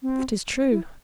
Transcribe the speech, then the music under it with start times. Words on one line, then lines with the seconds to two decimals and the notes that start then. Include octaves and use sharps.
"That is true."
0.02 C4
0.71 E4